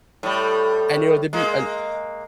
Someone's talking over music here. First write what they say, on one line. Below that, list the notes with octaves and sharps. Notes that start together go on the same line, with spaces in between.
and, you know, to be an
A2 G3
G#3 A#3